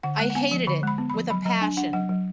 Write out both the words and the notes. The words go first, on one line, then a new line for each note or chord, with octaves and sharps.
I hated it with a passion.
D3 F#5
G#3
F#5
B3 G#5
F3
D3 B5
G#3 B5
B3
F3 B5
F#3 B5
F#3 A#5
D4 G#5
D4 F#5
F#3 F#5
F#3